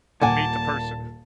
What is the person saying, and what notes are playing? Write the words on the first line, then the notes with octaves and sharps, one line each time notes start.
meet the person.
D#1 A#2 A#3 F#5 G#5 A5